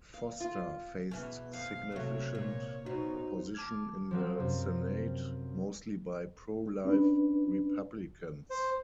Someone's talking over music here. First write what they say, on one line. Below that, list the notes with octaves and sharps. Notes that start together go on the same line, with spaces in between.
Foster faced significant opposition in the Senate, mostly by pro-life Republicans.
F5
F4
E2 B2 E3 C#4
F2 F5
C3 F#3 A3 C#5
A#2
B2 D#4 F#4 C5
A5 D6 F6 G#6
F3 F#3 C4
F#2 C3
C#4 D4 B4
C5